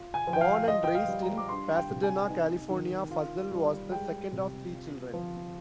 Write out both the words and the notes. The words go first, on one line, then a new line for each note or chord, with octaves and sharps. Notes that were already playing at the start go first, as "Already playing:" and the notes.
Born and raised in Pasadena, California, Fussell was the second of three children.
Already playing: F4
G#5
F3
G5
F5
F4 D#5
G5
F5
G3
A#5
D6
D4 C6
G5
C3
G#5
D#4
D#3
F4
G3
G#3 G5
C3
F4
F3